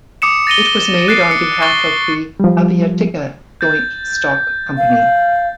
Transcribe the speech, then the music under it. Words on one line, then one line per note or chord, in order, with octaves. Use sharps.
It was made on behalf of the "Aviatika" joint-stock company.
D6 D#6 C#7 E7
A6 A#6 D#7 G7
F#6 A6 A#6 C7 D7
C#7
C#6 A6 G7
F3 G3
G6 A6
F5